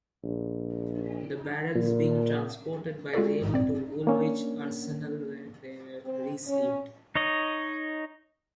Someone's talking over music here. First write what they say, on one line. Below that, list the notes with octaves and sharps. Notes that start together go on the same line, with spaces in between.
The barrels being transported by rail to Woolwich Arsenal where they were re-sleeved.
A#1
A#2
G#3 F4 F#4 A4 D5
C4 D5
A#3 C#4 D4
C4
C#4
D#4 C#5 D#5